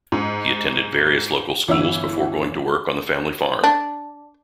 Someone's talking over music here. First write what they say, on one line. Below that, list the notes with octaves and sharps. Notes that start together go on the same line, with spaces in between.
He attended various local schools before going to work on the family farm.
G#2
G1 E3 C#4 E4 E6
D4